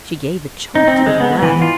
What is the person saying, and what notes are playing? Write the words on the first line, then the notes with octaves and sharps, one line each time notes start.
She gave a choked little laugh.
D#4
C4
G#3
B3
E3
F4